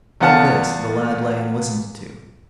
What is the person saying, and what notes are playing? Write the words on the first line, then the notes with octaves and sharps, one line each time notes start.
All this the lad lay and listened to.
E2 B3 F4 F#5 A5 F6